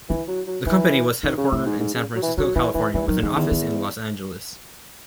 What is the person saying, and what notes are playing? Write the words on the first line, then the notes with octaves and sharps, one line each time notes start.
The company was headquartered in San Francisco, California, with an office in Los Angeles.
E3 E4
F#3
F#3
E3 D#4
D#3 D#4
C#3
A2 E4
G#2
G#2
C#3
F#3
E3
F#3 D#4
E3 E4
E3 D#4
E3 G#3
D#3 F#3
G#2 E3
E2 D#3
D#3